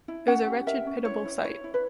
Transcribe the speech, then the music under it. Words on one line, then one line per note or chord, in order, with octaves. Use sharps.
It was a wretched, pitiable sight.
E4
C#4 F#5
G4
A#4 E5
C#4
E4 C#5
E4
E4 C#5
E4
B4